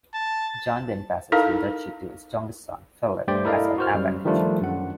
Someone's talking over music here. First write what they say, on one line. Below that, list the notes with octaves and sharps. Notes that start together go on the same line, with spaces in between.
John then passed the duchy to his youngest son Philip as an apanage.
A5
D#4 E4 A4 A#4 F5
G2 A3 G4 C5 D5 G5
E4 A4 A#4 D5 D#5 F5
F#4 C5 F6
F#2 G3
D#3 F3 G3 A3 D4 F4
F#2 F#5